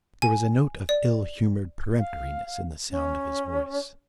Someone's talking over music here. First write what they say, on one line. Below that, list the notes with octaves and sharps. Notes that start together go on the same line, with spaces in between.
There was a note of ill-humoured peremptoriness in the sound of his voice.
G#5
D5
F5
C#4